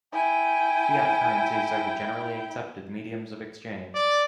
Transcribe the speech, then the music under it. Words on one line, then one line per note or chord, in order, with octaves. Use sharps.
Fiat currencies are the generally accepted mediums of exchange.
E4 G5 G#5
D5